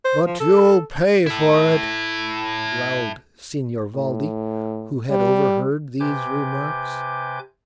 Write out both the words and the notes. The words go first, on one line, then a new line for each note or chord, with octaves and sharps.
"But you'll pay for it!" growled Signor Valdi, who had overheard these remarks.
C5
F3
A4
E4 A4
A2
G3
C3 B4 G#5 D6 G6